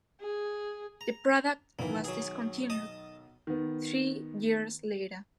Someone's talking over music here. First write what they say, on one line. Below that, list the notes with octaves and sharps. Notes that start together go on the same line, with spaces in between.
The product was discontinued three years later.
G#4
A#5
B1 D#3 E3 A#3
F#3 G#4
D#5 A5 D#6
D#3 B3